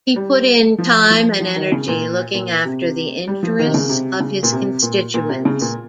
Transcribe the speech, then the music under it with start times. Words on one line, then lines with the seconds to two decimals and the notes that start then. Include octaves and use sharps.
He put in time and energy looking after the interests of his constituents.
0.16 G3
0.78 F3
1.10 F3
1.41 F3
1.56 D#3
1.72 C#3
1.88 A#2
2.34 A#2
2.65 C3
3.28 G3
3.43 F3
3.59 D#3
3.67 C3
3.74 C#3
3.89 C3
4.20 C#3
4.43 A#2
4.53 C3
4.83 A#2
5.14 A#2
5.29 C3
5.45 C#3
5.61 A#2